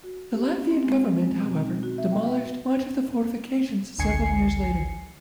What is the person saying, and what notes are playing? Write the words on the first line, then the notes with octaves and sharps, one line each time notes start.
The Latvian government, however, demolished much of the fortifications several years later.
F#4
G4
C#4
C4
G#3
G#3
B2
D#4
F#4
E5
G5
B4
A1 D2 D3 G#5 C7 C#7